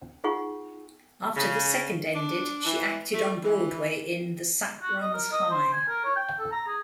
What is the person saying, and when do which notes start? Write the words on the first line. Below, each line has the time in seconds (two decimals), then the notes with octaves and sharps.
After the second ended, she acted on Broadway in "The Sap Runs High".
0.24 D#4 F4 G#4 F#5 C#6
1.36 C#3
2.14 D4
2.65 E3
3.13 A3
3.43 E3
4.82 F#4
5.02 D#5
5.14 A#4
5.32 D#5
5.51 C5
5.73 G#5
5.89 A#4
6.05 C#5
6.16 G5
6.40 A4
6.52 A#5
6.67 G#4